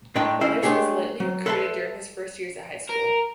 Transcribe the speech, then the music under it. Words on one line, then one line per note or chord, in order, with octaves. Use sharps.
Weathers was lightly recruited during his first years at high school.
A2 G#3 D4 D#4 G5 A5
C#2 C#4 E4 C5 E5
G#3 A3 D4 G4 G#4 C#5
F#3
A4 B4 C5 E5 G5 A5
A#4